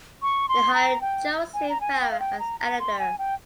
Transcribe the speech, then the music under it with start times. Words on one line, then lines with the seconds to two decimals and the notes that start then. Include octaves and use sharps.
They hired Joseph Farah as editor.
0.22 C#6
0.49 C6
0.74 A#5
1.01 G5
1.54 G#5
1.69 A#5
1.81 G#5
2.01 G5
2.11 F5
2.20 G5
2.39 A#5
2.60 A#5
2.79 C6
2.99 G#5
3.19 G5